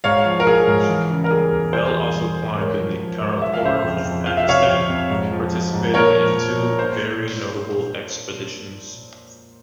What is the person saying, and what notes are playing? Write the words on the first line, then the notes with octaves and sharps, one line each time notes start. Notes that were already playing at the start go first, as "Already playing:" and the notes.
Bell also climbed in the Karakoram of Pakistan, participating in two very notable expeditions.
G#2 C#5 F5
F3
A#4
F3 G#4
G#2
E3
C#3
A#4
G3 G#4
E2
G3 G#4 C5
E3
G2
G2
G#2 A#4 C#5
F3
F3
G#2
F3 E5
F5
C#3 C5 E5
F2
F2
F3 F5
E5
C3 C#5 F5
F2
F2
G#2
F3
F3
G#2
A#2 A#4 C#5
F3
F3
A#2
C5